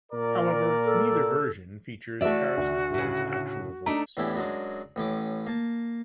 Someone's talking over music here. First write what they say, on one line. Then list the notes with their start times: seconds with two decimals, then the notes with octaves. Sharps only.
However, neither version features Harrison Ford's actual voice.
0.12 A#2 A#4 D5
0.85 A4
2.21 E3 A3 F#4 D5 E5
2.58 D2
2.94 A2 C#3
3.86 A3 D4 D#4 A#5
4.17 E2 A2 D4 E4 G4 G#5
4.36 F#2 F#3 G#3 D4
4.96 A1 A2 C#4 D6
5.47 A#3 A5